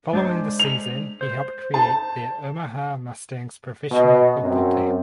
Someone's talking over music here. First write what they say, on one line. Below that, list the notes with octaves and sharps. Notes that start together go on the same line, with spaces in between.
Following the season he helped create the Omaha Mustangs professional football team.
G#3 D4 C5
F7
C5
A5
B2 D#5
F#2 C4